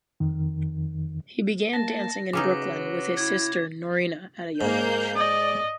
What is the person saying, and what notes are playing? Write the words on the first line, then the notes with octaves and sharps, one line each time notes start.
He began dancing in Brooklyn with his sister Norina at a young age.
F2 D#3
A#3 A5 A#6
C#3 F#3 C#4 D#4 B4 D6
E4 D6 G#6
G#2 A#3 G6
D5 D#5